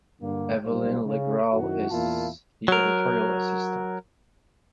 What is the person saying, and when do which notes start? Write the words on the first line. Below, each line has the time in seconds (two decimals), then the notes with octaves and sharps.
Evelyne Le Grall is the editorial assistant.
0.21 G2 D3 A#3
0.64 B1 G#2 G3 F4 C5
1.06 C#3
1.53 F#2 D#3 E4 F#4
1.90 E2 A#2 A#3 E4 F4 A5
2.68 F#3 A#4